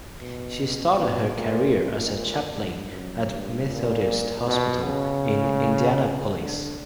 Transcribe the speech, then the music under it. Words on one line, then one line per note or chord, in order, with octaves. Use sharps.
She started her career as a chaplain at Methodist Hospital in Indianapolis.
B2
B2
A#2
A#2
G2
F#2
G2
A#2
B2
C#3
D3